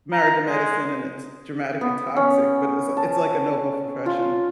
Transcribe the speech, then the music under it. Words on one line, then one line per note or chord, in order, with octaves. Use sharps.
Married to Medicine, and it's dramatic and toxic, but it's, like it's, like, a noble profession.
A#5
G#3
B3
C#4
A5
F4